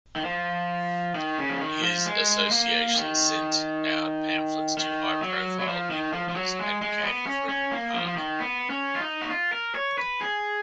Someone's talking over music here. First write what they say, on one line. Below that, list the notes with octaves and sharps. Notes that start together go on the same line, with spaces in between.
His association sent out pamphlets to high-profile New Yorkers, advocating for a new park.
D#3
F3
D#3
C#3
F3
D#3
F3
G#3
A#3
D#3
D#3
F#3
F#3
F3
D#3
F3
F3
F#3
G#3
G#3
B3
C#4
C#4
A#3
F3
F3
D#3
B3
C#4
F4
D#4
F#4
F4
A#4
C#5
B4
G#4